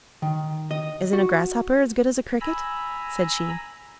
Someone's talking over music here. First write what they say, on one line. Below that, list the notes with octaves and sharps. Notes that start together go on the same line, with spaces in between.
Isn't a Grasshopper as good as a Cricket?' said she.
D#3
D#5
F#4
G#5 A#5 B5 E6